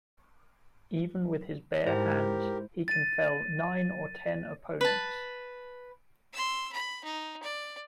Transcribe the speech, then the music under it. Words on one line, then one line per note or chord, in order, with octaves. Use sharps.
Even with his bare hands, he can fell nine or ten opponents.
G#2 E4 G4 A#4 C5
A6 D#7
B4 A5
C6 E6
B5
D#4
D5